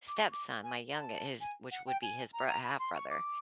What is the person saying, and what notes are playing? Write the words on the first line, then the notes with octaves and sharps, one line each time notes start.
stepson, my younge his which would be his bro half brother,
D6
C#6
D6
G#5
A#5
A5
G#5
F#5
G5
G#5
A#5
A#5
B5
C6
C#6
D6